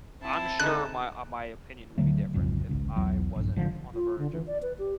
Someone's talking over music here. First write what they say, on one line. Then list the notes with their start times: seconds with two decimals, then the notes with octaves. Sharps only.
I'm sure my, uh, my opinion would be different, if I wasn't on the verge of
0.23 C4 E4 A5
0.60 D3 G#3 D#4 F#6
1.98 D1 D3 F#3 A3
2.34 B1 F2 G#2 C#3
2.69 G#1 C#2
2.96 B1 E2 F#3
3.36 A#1 G2
3.56 G#1 D3 F3
3.95 F4
4.18 D3
4.33 E3
4.47 D5
4.62 B4
4.79 G4